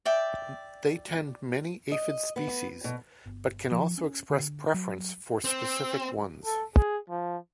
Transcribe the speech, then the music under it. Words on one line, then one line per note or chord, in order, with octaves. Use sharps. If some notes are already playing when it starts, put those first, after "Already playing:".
They tend many aphid species but can also express preference for specific ones.
D5 E5 G5
D#5
B3
B2
G1
F3
C#4
D3
F#3
C4
A4
G#4
F3